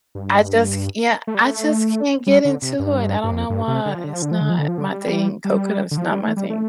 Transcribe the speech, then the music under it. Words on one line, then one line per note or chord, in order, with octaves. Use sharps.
I just c Yeah, I just can't get into it, I don't know why, it's not my thing, coconut is not my thing.
G2
A3
G3
A3
G3
D3
C3
G2
G2
F2
G2
C3
D3
F3
D3
F3
D3
F3
D3
F3
D3
F3
D3
G3
G3
D3
F3
G3
A3
G3
A3